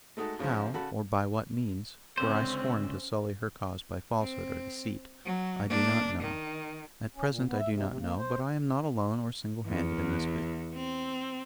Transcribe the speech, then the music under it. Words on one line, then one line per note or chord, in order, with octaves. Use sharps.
How or by what means--for I scorn to sully her cause by falsehood or deceit--I do not know; at present I do not know, but I am not alone or single-handed in this business.
G#3 A3 D#4 F#4 A4
G#2 C#3 F3 G#3 C5
C#3 F#4 A4 B5
C#2 D3 C4 C#4 C5
C4
F#3
A#3 D4
D#3
C#4
A#2
B3
E5
C3
C3
A#3
C5
E2
C4